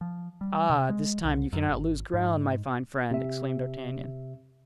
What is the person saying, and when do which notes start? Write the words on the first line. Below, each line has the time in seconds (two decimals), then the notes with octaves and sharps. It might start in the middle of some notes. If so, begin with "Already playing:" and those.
"Ah, this time you cannot lose ground, my fine friend!" exclaimed D'Artagnan.
0.01 F3
0.41 G3
0.70 C3
0.89 G#3
1.25 C2
1.53 F#2
1.69 G#1
2.14 G#2
3.11 C3 E5